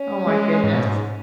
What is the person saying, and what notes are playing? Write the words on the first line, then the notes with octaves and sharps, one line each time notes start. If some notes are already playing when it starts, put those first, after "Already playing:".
Oh, my goodness!
Already playing: C#4
G#3
G#2
B2
G#2